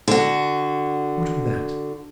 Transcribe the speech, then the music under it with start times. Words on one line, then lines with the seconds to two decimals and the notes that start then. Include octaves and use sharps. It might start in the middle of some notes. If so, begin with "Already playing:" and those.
What of that?
0.08 D3 F#4